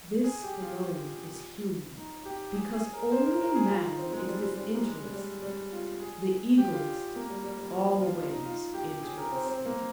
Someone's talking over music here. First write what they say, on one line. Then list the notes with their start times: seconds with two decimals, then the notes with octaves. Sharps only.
This alone is human, because only Man is disinterested, the egoist always interested.
0.24 G#4
0.43 G4
0.62 F4
1.97 D#4
2.25 G4
2.55 G#4
2.74 G#4
2.93 A#4
3.12 C5
3.26 A#4
3.41 A#4
3.56 G#4
3.70 F4
3.84 D#4
3.98 C4
4.13 G#3
4.27 G3
4.42 G3
4.56 G3
4.70 A#3
4.84 G#3
4.99 G3
5.14 G3
5.42 G3
5.72 F4
6.00 G#4
6.58 G4
6.72 F4
7.16 A#3
7.30 G3
7.44 G3
7.59 G3
7.73 F3
8.02 F4
8.16 F4
8.31 D#4
8.45 F4
8.74 G4
8.88 G4
9.03 G#4
9.18 A#4
9.32 C4
9.46 C4
9.66 A#3